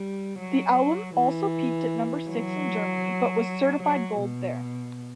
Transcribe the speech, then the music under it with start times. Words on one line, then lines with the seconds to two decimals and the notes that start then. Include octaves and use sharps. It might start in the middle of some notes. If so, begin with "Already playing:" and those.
The album also peaked at number six in Germany, but was certified Gold there.
Already playing: G3
0.39 F#3
1.15 E3
2.30 F#3
3.83 F#3
4.21 B2